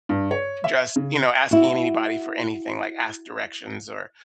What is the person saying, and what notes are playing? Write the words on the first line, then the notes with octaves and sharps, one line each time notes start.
just, you know, asking anybody for anything, like ask directions or,
G2
C#5
E5
C#3
E4 F#4